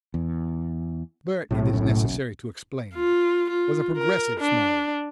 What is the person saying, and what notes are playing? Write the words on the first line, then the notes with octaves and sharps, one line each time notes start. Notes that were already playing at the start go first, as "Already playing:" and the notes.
Bert, it is necessary to explain, was a progressive Smallways.
E2
B1 A2 C3
F#1 B1 F#2
F4
F4
A#4
D4